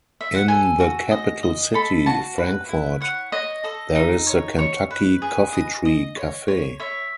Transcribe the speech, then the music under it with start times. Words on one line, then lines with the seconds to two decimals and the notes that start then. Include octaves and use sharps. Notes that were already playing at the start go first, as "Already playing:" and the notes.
In the capital city, Frankfort, there is the Kentucky Coffeetree Cafe.
0.21 E5
0.34 F#5
0.48 A4 G#5
0.80 F#4
1.11 D#5
1.43 D#5
1.74 A4 B5
2.06 F#4 A5
2.38 B4
2.69 E4
3.00 C#5 F#5
3.32 C#5 D#5
3.64 A4 D#5
3.95 D#4
4.27 C#5
4.59 C#5
4.91 B4
5.22 G#4
5.53 D#5
5.85 D#5
6.16 C#5
6.48 C#5
6.80 C#5 E5